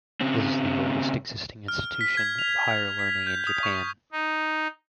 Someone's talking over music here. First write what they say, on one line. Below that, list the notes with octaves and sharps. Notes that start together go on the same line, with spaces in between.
This is the oldest existing institution of higher learning in Japan.
C#3 C4
F6
B6
G#6
F7
B6
G6
D#6
C#6
D#4